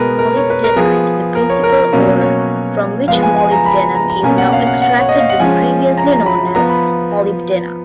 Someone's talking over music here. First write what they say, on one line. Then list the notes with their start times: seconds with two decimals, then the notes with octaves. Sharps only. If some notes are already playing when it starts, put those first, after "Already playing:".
Molybdenite-the principal ore from which molybdenum is now extracted-was previously known as molybdena.
Already playing: B2 G#3 B3 A#4 B4
0.19 A#4
0.37 C#5
0.50 B4
0.64 A#4
0.76 F3 B3 G#4
1.35 A#4
1.50 C#5
1.63 A#4
1.93 B2 F#3 A#3 C#4
2.21 C#5
3.08 F3 G#3 B3 F5
3.23 G#5
3.36 G#5
3.51 A#5
3.66 B5
3.95 A#5
4.10 A#5
4.23 B2 A#3 C#4 G#5
4.38 F#5
4.52 F5
4.67 F#5
4.82 F#5
4.99 C#5
5.09 D#5
5.19 F5
5.30 F#5
5.39 F3 G#3 C#4 G#5
5.97 A#5
6.12 A#5
6.26 B5
6.55 F3 B3 A#5
6.69 B5